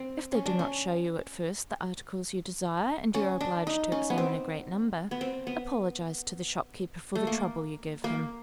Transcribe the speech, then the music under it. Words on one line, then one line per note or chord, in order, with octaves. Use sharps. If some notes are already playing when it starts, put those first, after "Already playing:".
If they do not show you at first the articles you desire, and you are obliged to examine a great number, apologize to the shopkeeper for the trouble you give him.
Already playing: C4
C#4
D4
C#4
C#4
D4
D#4
C#4
B3
C4
B3
C4
B3
A3
A#3
A#3